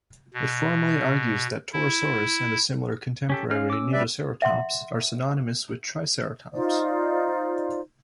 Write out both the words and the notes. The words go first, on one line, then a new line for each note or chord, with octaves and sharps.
It formally argues that "Torosaurus" and the similar contemporary "Nedoceratops" are synonymous with "Triceratops".
B2
E4
C#4 G4 A4
C#4 F5 F6
D6 E6
G3 B4 D5 E5
E5 F#5 C6
D#4 F4 C5 D5